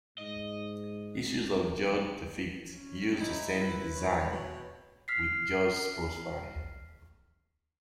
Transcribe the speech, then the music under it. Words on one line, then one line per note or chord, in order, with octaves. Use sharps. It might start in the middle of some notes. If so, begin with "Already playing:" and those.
Issues of George the Fifth used the same design with George's profile.
G#2 D#5
C#4
D#4 E4
B4
C#5
B2
F6 B6 C7